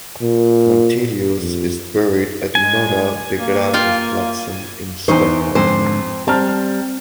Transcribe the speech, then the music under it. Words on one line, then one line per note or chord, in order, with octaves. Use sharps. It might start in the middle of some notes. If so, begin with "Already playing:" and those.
Montelius is buried at Norra begravningsplatsen in Stockholm.
A#2
F2
G#3 G#5
A#3
F4 F5 G5
E2 E3 D#4 C5 C#6
F2 G#2 D3 C5
G3 C4 A5 A#5 F6